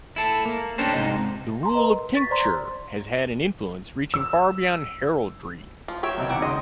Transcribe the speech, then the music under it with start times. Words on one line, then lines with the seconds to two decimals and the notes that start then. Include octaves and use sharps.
The rule of tincture has had an influence reaching far beyond heraldry.
0.16 E4 A4
0.45 A#3
0.78 C#4 D4 G4 A4 A#4 C5
0.93 G#2 C3 D#4
1.63 A#5 C6
1.75 A#4 B4 D#5
2.13 C#6 A6 B6
2.31 C5 D5 A#5 C6
4.14 E6
5.88 F3
6.03 C#5 E5 G5
6.18 C2 B2 F#3
6.29 D#2 E4 F#5 G5 D6
6.42 C#2 D#5 C6